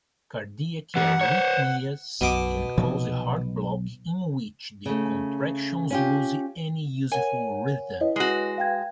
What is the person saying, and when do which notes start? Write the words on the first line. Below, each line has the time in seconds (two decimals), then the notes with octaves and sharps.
Cardiac arrhythmias can cause heart block, in which the contractions lose any useful rhythm.
0.96 E3 G4 F#5
1.21 C5 C#5
2.21 B1 F#2 B2 D6
2.78 B1 C3 F3 F#3
4.86 C#3 A3
5.90 C#4 F4 G4
7.12 A#4 C#5 F#5 G#5
8.01 E4 B4 C#5 D#5
8.16 G#3 F#4
8.58 F5 G5 G#6